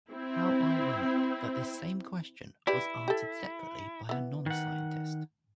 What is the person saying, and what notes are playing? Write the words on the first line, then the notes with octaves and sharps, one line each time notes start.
How ironic that this same question was answered separately by a non-scientist.
C4 E4
E4 G4 B4 D5
G4 A4
E3 B3
D#3 F#5